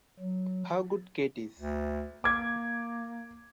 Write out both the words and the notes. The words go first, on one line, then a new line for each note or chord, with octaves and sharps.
How good Kate is!
F#3
D2
A#3 D6 G#6